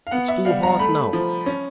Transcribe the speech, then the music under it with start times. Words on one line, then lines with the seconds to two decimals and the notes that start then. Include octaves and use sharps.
It's too hot now.
0.07 F5
0.11 B3 F#5
0.28 E5
0.45 G3 F5
0.63 A#5
0.79 A3 B5
1.13 F3
1.46 C#4